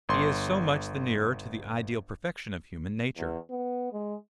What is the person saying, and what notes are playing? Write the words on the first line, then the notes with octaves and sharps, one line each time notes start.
He is so much the nearer to the ideal perfection of human nature.
G1 C6
E2
B3
G#3